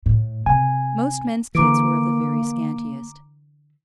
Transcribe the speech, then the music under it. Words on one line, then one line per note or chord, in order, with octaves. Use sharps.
Most men's kits were of the very scantiest.
A2
C3 G#5
D3 E3 A#3 A#5 D6 D7